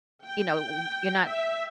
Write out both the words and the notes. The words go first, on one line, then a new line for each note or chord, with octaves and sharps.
you know, w you're not
G5
E5